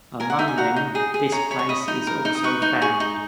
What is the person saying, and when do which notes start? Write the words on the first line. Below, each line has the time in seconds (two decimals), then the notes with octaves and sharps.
Among them this place is also found.
0.20 A#4 G#5
0.30 F#5
0.39 D#4 E5
0.48 G#5
0.58 F#4 A#5
0.76 D#4
0.95 G#4
1.14 G#4
1.32 C#5 A#5
1.51 C#5 B5
1.59 C#6
1.69 D#5 B5
1.88 D#4
2.07 A#4
2.25 D#4
2.35 D#6
2.44 B4 C#6
2.62 D#4
2.82 G#4 C#6
3.00 D#4